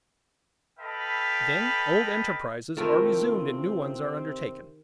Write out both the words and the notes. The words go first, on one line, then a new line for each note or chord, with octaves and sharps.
Then old enterprises are resumed and new ones are undertaken.
A4 B4 D#5 F5 G5 B5
C3 D#3 A3 C4 E4 F4 A#4